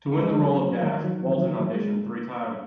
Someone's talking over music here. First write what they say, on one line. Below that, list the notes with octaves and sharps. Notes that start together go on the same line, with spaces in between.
To win the role of Dash, Walton auditioned three times.
G#3
F#3
F#3
D#3
F#3
D#3
F#3
D#3
F#3
G#3